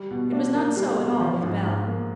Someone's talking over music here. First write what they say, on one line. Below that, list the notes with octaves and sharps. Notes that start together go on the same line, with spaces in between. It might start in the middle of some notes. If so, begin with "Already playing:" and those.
It was not so at all with Bell.
Already playing: G3
B2
D4
A#3
G3
B2
F3
G#2
G#2
A#3